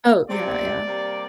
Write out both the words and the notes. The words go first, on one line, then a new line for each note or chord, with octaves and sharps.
Oh, yeah, yeah.
C3 G3 C4 D5
C3 G3 A#3